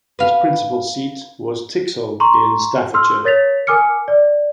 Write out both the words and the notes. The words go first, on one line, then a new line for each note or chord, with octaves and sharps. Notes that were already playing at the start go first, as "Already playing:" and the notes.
His principal seat was Tixall in Staffordshire.
B4 F5
A#5 C6 C#6
C6 E6 F6
A#4 C#5 A6 B6 F7
A#4 G#5 D6 F6 C#7
D5